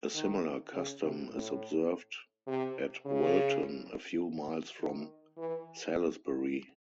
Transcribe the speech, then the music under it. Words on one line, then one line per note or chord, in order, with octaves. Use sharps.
A similar custom is observed at Wilton a few miles from Salisbury.
D#3
C#3
C3
A2
C3
C#3
D#3
E3